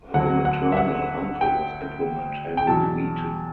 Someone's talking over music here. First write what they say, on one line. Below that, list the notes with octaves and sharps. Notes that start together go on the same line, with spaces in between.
Her maternal uncle was diplomat Henry Wheaton.
D2 D3 F#3 F#5
F#5
E5
F#5
G5
G5
E2 B2 F#3 A5